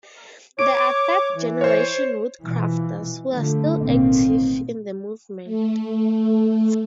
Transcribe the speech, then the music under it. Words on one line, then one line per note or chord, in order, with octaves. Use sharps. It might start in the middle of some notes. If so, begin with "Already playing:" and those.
There are third-generation Woodcrafters who are still active in the movement.
C#5 D6 D7
E3
C5 C#5
B2 E3 F3
D3 F3 A3
A1 B2 D#3 A#3 C4
A3